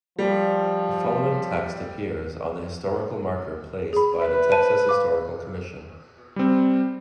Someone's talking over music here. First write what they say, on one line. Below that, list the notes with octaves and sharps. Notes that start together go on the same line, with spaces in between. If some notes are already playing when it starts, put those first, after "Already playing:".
The following text appears on the historical marker placed by the Texas Historical Commission.
F3 G3
G#4 B5
B4 E5
C5 A5 D#7
F5 D6
G3 C4